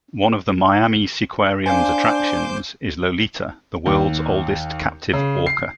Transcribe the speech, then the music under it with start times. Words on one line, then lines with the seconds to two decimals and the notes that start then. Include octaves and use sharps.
One of the Miami Seaquarium's attractions is Lolita, the world's oldest captive orca.
1.66 D4 C5 F5 G#5 D6 G6
3.86 D#2
5.13 C#3
5.46 C7